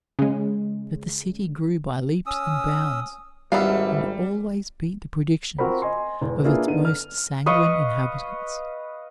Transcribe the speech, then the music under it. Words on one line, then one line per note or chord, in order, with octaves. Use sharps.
But the city grew by leaps and bounds, and always beat the predictions of its most sanguine inhabitants.
C#3 G#3
C#4 D#6 E6
G#1 G3 B3 E4 F5
C4 F4 F#4 A#4 C5 B5
D#5 G#5 C6
E1 E2
A#3 D4 E4 F4 G#4 B4
D3 B3 D#4 D#7
F6
B4 D#5 F5 C#6